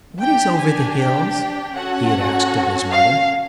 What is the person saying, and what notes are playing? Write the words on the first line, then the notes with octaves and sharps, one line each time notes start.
"What is over the hills?" he had asked of his mother.
D4 G4 G5
G#5
G5
C#4 F#4 A4 F#5
F5